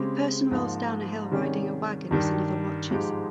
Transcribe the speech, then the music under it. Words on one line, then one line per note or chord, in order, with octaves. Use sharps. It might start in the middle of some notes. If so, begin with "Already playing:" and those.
A person rolls down a hill riding a wagon as another watches.
Already playing: C#3 G#3 C4 G4
G#2 F3 A#3
C3 D#3 G3 C#4 G#4
G2 D#3 G3
G#2 F3 G#3 D#4 G4